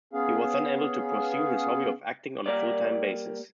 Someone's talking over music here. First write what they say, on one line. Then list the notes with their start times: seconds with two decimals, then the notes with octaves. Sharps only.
He was then able to pursue his hobby of acting on a full-time basis.
0.13 B3 C#4 G#4 F5
2.46 G3 A#3 A#4 D5